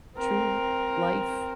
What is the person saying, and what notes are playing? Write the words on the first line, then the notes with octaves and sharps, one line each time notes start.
true life,
C4 A#4